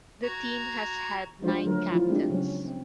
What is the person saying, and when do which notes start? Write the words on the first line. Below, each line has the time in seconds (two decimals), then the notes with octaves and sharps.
The team has had nine captains.
0.23 F#4 A#5 G#6
1.42 F3 G#3 D4 F4 F#4 C5
1.63 D3 F#3 A3 A#4
1.90 F3 E4 F4
2.07 G#3 A3 C4 D4 D#4 G4
2.30 C#3 F#3 C#4
2.65 C4